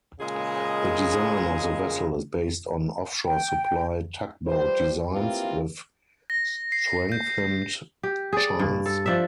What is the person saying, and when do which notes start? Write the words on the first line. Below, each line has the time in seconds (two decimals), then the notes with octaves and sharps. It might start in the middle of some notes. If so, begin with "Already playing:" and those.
The design of the vessel is based on offshore supply-tugboat designs, with strengthened chines.
0.20 A#2 C#3 G#3 G#4 D#5
3.26 G5
4.46 F3 G3 B4 C5
5.11 A#3 C4 E4 F4 G4 B4
6.30 A#6
6.72 C7
7.12 G6
8.03 G4
8.33 G#4 D5
8.59 G2
8.86 A4
9.06 F3 D4 A4 E5